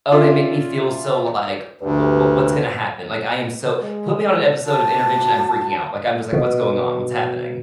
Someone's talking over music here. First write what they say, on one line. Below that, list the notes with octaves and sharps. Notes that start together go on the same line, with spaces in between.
oh, they make me feel so, like, "What what what's gonna happen?" Like, I am so put me on an episode of Intervention, I'm freaking out. Like, I'm just like, "What's going on? What's happening?"
C#4 F4 D5 E5
D2 G2
G#3
F#4 A5
B2